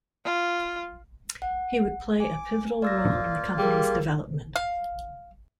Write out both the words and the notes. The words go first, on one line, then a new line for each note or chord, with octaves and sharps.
He would play a pivotal role in the company's development.
F4
F#5
G#5 D6
A#3 F4 D5 E6 A#6
G3 G#4 A#4
F5